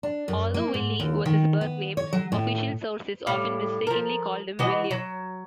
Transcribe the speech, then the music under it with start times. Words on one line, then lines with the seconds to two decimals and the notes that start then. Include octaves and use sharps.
Although Willie was his birth name, official sources often mistakenly called him William.
0.03 D4
0.28 F#2
0.54 A#3
0.74 G#2
1.00 D#2
1.26 D#3
1.61 B3
1.97 C#5
2.13 F#3
2.32 A2
3.27 A2 G3 F5
3.87 F3 A#4
4.59 E3 F#4 D#5
4.91 F#3